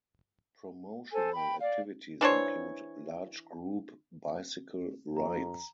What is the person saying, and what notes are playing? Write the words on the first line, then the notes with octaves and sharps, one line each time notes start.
Promotional activities include large group bicycle rides.
A4 C5 G#5
G5 B5
D5 F5
E3 D4 C5 C#5
F2 A#5